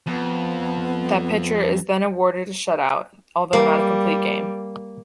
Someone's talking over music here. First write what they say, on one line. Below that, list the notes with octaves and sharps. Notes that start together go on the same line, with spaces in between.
That pitcher is then awarded a shutout, although not a complete game.
F2 B3
G3 A#3